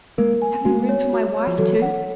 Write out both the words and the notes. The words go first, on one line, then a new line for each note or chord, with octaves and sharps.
Have you room for my wife, too?'
G#3 A#3 A#4
G#5
G#3 A#3 F#4
C#5
F#4
C#5
F3
E3 F#3 A4
F#5